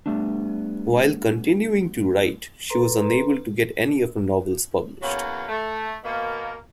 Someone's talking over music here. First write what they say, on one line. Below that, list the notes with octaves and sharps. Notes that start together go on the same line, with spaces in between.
While continuing to write, she was unable to get any of her novels published.
G3 A3 B3 D4
A4 B4 A#5 C6
E2 F#3 A#3 C#4 F#4
A3
B2 A#3